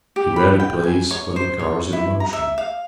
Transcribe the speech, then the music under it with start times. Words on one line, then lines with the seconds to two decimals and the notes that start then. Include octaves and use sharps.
He rarely plays when the car is in motion.
0.16 G4
0.36 B5
0.60 G5
0.83 G#5
1.11 C#5
1.36 C5
1.59 C#5
1.93 E4
2.20 A#5
2.33 E5
2.58 F5